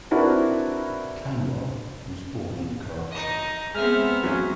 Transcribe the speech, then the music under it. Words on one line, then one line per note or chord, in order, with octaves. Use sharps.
Kanwal was born in Karachi.
C4 D4 E4 F#4 A#4 B4
D#4 D#5
G#3 B3 C4 G#4 E5 F6
F#3 C#4